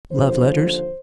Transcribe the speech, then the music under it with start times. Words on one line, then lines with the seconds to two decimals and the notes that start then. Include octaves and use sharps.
"Love letters."
0.10 D#2 D3 F3 C5